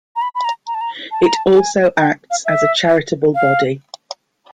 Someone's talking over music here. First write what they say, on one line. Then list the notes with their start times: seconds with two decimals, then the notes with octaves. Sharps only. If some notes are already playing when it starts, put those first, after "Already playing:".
It also acts as a charitable body.
0.16 A#5
0.22 B5
0.35 B5
0.44 A#5
0.67 A#5
0.75 A5
0.81 A#5
1.11 A5
1.24 A#5
1.36 A5
1.56 G#5
2.01 G5
2.30 F5
2.45 E5
3.35 F5